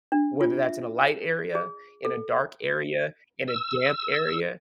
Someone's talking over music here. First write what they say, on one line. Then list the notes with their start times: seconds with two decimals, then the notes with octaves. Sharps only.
whether that's in a light area, in a dark area, in a damp area
0.12 D4
0.41 F4
0.65 E5
1.55 G#4
2.05 A4
3.48 E6